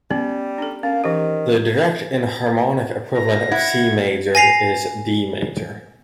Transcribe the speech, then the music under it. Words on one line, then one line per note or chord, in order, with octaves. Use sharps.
The direct enharmonic equivalent of C major is D major.
G3 B3 C#4
D4 A4
A#3 C#4
D#3 E3 G4
A#6
E4 F#5 G#6
G#5 A#6 C7 F7